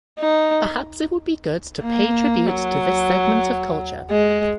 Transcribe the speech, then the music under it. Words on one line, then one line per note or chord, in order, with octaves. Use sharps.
Perhaps it would be good to pay tribute to this segment of culture.
D#4
A#3
F#3
G#3